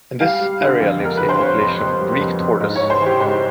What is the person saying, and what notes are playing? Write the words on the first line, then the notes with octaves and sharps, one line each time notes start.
In this area lives a population of Greek Tortoise.
G3 F5
G3
D3
F2
F2
A#4
D3 B4
C5
F2 C#5
F2
F2
G3
F2
F2
G#2
C#5
G#2
C5
E3
G4
G#2 C5